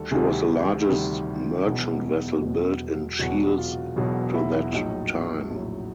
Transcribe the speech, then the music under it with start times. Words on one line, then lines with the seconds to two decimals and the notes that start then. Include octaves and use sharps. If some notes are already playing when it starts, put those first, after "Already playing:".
She was the largest merchant vessel built in Shields to that time.
Already playing: D2 D#3 G3 A4
0.11 D2 C3 D#3 G3 G#4
0.89 D2 C3 D#3 G3
1.65 E1 E2 B2 F#3
2.42 E1 E2 B2 F#3
3.19 E1 E2 B2 F#3 F#4
3.58 F4
3.96 E1 E2 B2 F#3
4.34 E4
4.72 A#1 A2 F#3 D#4
5.50 A#1 A2 F#3